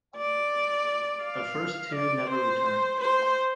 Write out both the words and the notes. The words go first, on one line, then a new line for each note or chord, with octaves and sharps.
The first two never returned.
D5
F5
D5
C5
C5